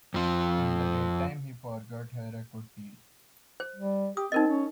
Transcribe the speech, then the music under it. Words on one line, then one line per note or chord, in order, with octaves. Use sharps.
In the daytime he forgot her a good deal.
F2 F3
C5
G3
G4 D#6
C4 D#4 A#4 D#5
C#4